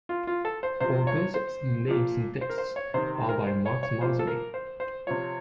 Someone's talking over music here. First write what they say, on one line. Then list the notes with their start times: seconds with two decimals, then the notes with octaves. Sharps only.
All concepts, names and texts are by Max Masri.
0.09 F4
0.27 F4
0.45 A4
0.63 C5
0.80 C3 F3 C5
1.07 C#5
1.34 C5
1.88 A#2 F3
2.41 C5
2.50 A#4
2.58 C5
2.76 C#5
2.94 C3 D#3 C5
3.29 A#4
3.47 C5
3.66 C#5
3.83 C#5
4.01 A#2 F3 C5
4.19 A4
4.28 A#4
4.54 C5
4.80 C5
5.07 C3 F3 C#5